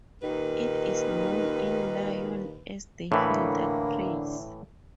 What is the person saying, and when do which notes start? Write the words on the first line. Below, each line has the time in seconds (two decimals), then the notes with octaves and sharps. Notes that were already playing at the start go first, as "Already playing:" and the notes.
It is known in Lyon as "the hill that prays".
0.22 D#2 A#2 D#3 B4
3.12 A2 D3 E3 A#3 B5